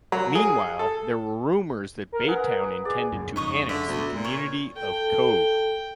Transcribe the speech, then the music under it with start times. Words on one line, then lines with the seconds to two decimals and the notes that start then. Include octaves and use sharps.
Meanwhile, there were rumors that Baytown intended to annex the community of Cove.
0.12 F#3
0.35 G#4
0.79 A4
2.12 A#4
2.27 G#4 B4 F#5
2.85 G#4 D5
3.13 F#2 A#2 C#3
3.36 F2 G#2 C#3 D#4 C#6 D#6
3.69 D3 E5
3.88 D2 B2
4.08 A#2
4.24 C#5
4.77 A4 G5